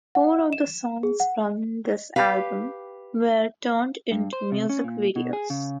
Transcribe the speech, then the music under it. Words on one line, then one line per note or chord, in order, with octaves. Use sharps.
Four of the songs from this album were turned into music videos.
F#5
E7
G#4
F#5
G4 B4 F5
G2
C5
C3
C#4
A#2
B2
G#4
C#3